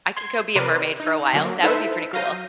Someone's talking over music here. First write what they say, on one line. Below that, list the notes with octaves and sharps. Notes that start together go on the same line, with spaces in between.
I could go be a mermaid for a while, that would be pretty cool.
C6 G#6 C7
C3 A#4 B4 D5 C6 D#7
D#4
D3 F#3 A#3
D#4 E4 A4 B4 C5 E5
F#3 F5 G6 A#6 D#7